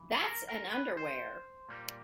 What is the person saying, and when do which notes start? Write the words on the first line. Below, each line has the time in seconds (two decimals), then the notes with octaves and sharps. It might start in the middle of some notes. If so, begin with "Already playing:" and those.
That's an underwear.
Already playing: F#2 C#3 E3
0.25 A#4
0.49 A#4
0.72 B4
0.97 C5
1.69 A#2 G3 A#3